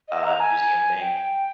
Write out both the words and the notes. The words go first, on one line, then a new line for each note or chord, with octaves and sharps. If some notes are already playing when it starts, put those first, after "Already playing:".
uh, museum thing?
D#5
A#5
G#5
G5